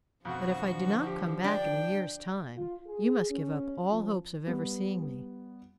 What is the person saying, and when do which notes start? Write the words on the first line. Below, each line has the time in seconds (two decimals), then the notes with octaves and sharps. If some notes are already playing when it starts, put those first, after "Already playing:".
But if I do not come back in a year's time, you must give up all hopes of ever seeing me.'
0.25 F2 B2 D3 F3 F#4 F#5
1.06 G4
1.44 D4 G5
2.57 F4
2.86 G#4
3.30 C#4
3.89 F3
4.47 G3 B3